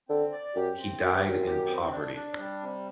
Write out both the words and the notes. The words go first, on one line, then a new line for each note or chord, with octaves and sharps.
He died in poverty.
D3 C4
D5
F#2 G4
C4
F#2 G4
G2
F#2 C4
G4
C4
D4
D4
G3
C3